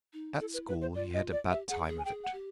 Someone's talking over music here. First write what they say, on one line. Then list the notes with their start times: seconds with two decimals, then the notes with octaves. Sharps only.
At school he had a bad time of it.
0.13 D#4
0.40 E4 A4
0.54 B4
0.68 B4
0.82 C5
0.95 F4 D5
1.14 D#5
1.32 D5
1.50 G4 E5
1.69 G#4 F#5
1.87 G#4
1.99 G#5
2.05 G#4 G5
2.24 F#5
2.33 G4